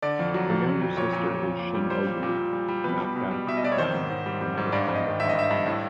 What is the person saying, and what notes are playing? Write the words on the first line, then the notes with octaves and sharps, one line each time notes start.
Her younger sister is Shinobu Nakayama, another former pop singer.
D3 D5
F2
F#3
F2
F2
F2
A#2 C#5
A#2
A#2
A#2
A#2
G3
G3 C5
A#2
A#2
A#2
G3
G3
B2 B4
B2
B2
G3
B2 E5
D#5
B2 D5
C#5
D#3 C5
G#2
G#2
G3
G3
G#2
G2 D5
G2
D#5
D#3
G2 E5
D#5
G2 E5
G2
A2